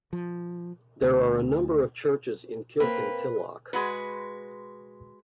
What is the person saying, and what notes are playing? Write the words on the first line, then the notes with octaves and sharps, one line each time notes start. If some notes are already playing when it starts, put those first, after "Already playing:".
There are a number of churches in Kirkintilloch.
F3
D2
A#3 C4 B4
G#3 F#4 B4